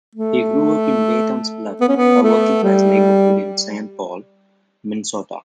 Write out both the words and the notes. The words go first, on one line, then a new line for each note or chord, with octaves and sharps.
He grew up in Dayton's Bluff, a working-class neighborhood in Saint Paul, Minnesota.
A3
B3
C#4
B3
A3
G3